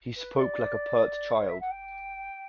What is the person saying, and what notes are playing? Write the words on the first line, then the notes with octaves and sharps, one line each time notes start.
He spoke like a pert child.
B4
D5
C#5
E5
F#5
G5